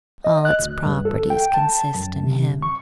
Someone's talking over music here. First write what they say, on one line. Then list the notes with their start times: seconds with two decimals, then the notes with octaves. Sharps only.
All its properties consist in him.
0.24 D#5
0.45 F#6
0.59 D2
0.86 G2
1.05 A4
1.30 G5
1.54 A5
1.95 F#2
2.24 C3
2.62 C#6